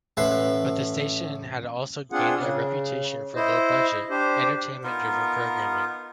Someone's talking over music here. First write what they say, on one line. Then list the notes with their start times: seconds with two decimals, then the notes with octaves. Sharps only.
But the station had also gained a reputation for low budget, entertainment-driven programming.
0.17 A1 A2 E4 B4 F#5 C6
2.12 C4 D4 F4 G#4 F#5
2.36 C#3
3.36 E4 C5 D#5
4.10 D4 G4 C5
4.84 B3 D#4 F4 A#4